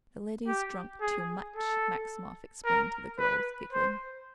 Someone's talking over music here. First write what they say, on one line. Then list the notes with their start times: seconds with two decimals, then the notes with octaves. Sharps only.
"The lady's drunk too much," Maximov explained to the girls, giggling.
0.48 G4
1.01 G#4
1.56 A4
2.65 A#4
3.19 B4
3.73 C5